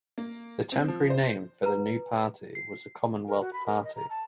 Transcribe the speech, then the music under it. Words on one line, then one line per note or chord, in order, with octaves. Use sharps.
The temporary name for the new party was the Commonwealth Party.
A#3
C4
F3
C5
B4 A#5
C7
A#4
F#4
B5
A#4
D#5
A#5
A5